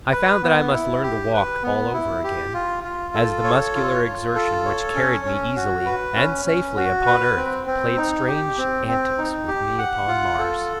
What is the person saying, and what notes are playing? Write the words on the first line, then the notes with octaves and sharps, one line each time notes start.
I found that I must learn to walk all over again, as the muscular exertion which carried me easily and safely upon Earth played strange antics with me upon Mars.
B4
B3
E4
G4
B4
B3
E4
G4
F4
F4
A4
C#5
F4
F4
A4
C#5
C#4
C#4
F#4
B4
C#4
C#4
F#4
B4
C4
C4
D#4
G4
C4
C4
D#4
G4
F#5
F4
A4